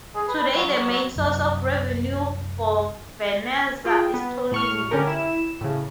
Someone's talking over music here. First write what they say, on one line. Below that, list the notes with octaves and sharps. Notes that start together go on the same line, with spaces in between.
Today the main source of revenue for Vernazza is tourism.
G#4
B4
B4
F#3
F#3
F#3
C2 F#2 C3 F#3
F4 G#4 G5
B3
A2 C#6 F6
D3 C#4 D4 G4 A#4
E4 E7
A2 C#3